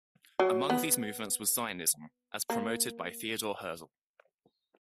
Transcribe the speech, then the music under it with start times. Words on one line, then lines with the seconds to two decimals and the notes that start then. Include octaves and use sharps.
Among these movements was Zionism as promoted by Theodore Herzl.
0.39 F#3
0.70 B3
2.50 A#3